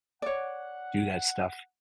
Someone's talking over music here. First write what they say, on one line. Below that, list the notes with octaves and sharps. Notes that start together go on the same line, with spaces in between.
do that stuff
C#5 D5 F#5